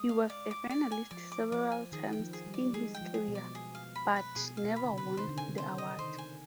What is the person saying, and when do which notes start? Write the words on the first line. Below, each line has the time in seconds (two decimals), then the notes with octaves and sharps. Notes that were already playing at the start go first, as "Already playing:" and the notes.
He was a finalist several times in his career, but never won the award.
Already playing: G#3 D#6
0.09 F5
0.30 D5
0.51 D6
0.71 D5
0.92 G#5
1.11 F3 D5
1.32 D6
1.52 F3 D5
1.72 G#5
1.92 D#3 G#4
2.13 G5
2.19 F3
2.33 G#4
2.46 G3
2.54 D5
2.73 G#3 G#4
2.95 G5
3.01 F3
3.14 G#4
3.28 B2
3.35 D5
3.55 G#4
3.75 F5
3.96 B5
4.16 B4
4.36 B2 G#4
4.57 F5
4.63 B2
4.76 B5
4.84 D3
4.90 C3
4.98 B4
5.17 D#3 C5
5.28 D3
5.37 C3 G#5
5.48 D3
5.58 C5
5.78 D#5
5.98 D#3 C5
6.18 G#5